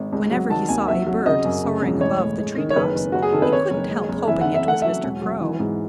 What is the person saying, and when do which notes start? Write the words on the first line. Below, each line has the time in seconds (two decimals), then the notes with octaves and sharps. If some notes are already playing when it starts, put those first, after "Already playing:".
Whenever he saw a bird soaring above the tree-tops he couldn't help hoping it was Mr. Crow.
Already playing: G#1
0.13 C#2
0.31 F#3
0.50 D#3 A5
0.69 D#2 G#5
0.88 F#3 E5
1.07 F#3
1.26 C#3 D#5
1.44 F#2
1.63 C#3
1.82 E1
2.01 A1 C#5
2.20 A2
2.38 G#3
2.58 D#3
2.70 C#5
2.76 F#1 B4
2.96 F#1
3.12 F#1 F#4
3.22 G#4
3.33 D#3 A4
3.42 B4
3.52 D#3 C#5
3.71 F#1
3.90 G#3
4.09 F#1
4.27 E3 E5
4.41 F#5
4.46 E3
4.54 E5
4.65 A3 F#5
4.82 F#3 E5
5.04 E1
5.22 F#3
5.40 E3
5.59 G#2